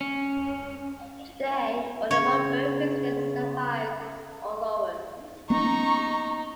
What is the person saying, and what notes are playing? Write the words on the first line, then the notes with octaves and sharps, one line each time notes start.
Today only one beret business survives in Oloron.
C#4
C#3 C#5
A#3 B3 C#4 D#4 A#5 C#6